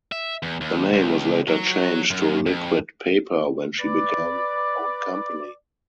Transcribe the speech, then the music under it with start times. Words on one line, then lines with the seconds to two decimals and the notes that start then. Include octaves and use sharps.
The name was later changed to Liquid Paper when she began her own company.
0.12 E5
0.43 E2
0.61 D#2
0.93 C#2
1.48 F#3
2.11 F#2
2.46 F2
3.80 B4 D5